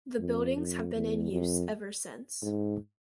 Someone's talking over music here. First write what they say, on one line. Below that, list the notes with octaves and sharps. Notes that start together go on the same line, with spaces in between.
The buildings have been in use ever since.
F2
F2
E2
F2
G#2